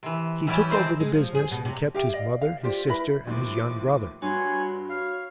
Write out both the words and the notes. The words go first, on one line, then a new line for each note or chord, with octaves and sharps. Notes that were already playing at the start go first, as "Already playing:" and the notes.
He took over the business and kept his mother, his sister and his young brother.
C3 E3
E3 G3 C#4 E4 G5
C3 G#3 C4 C5 A5 A#5
G#3
F3
G#4
B2
C3
G4 E5 F5 G5
D5 D#5 F5
F5
F4 G4 C5 D5
E4 A#4 B4 B5
D#2 A2 F3 D6
G2 F#4 C#5 F#5 G#5 B5 C6
C#5 F5